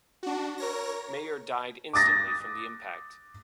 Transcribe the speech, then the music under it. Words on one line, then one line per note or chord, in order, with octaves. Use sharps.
Mayer died instantly from the impact.
D4 F#4
A#4 C#5 A#6
D6 D#6 A6 A#6